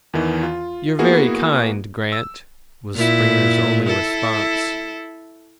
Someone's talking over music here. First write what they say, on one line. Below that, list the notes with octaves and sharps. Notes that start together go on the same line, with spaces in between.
"You're very kind, Grant," was Springer's only response.
E2 D#3 E3
F4
A#3 B3 E4 F#4 G#4
E6
A#2 E4
E4 A4